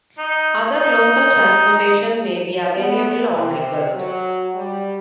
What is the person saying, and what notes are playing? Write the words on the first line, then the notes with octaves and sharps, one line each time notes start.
Other local transportation may be available on request.
D#4
D#4
B3
C3
F#3
G3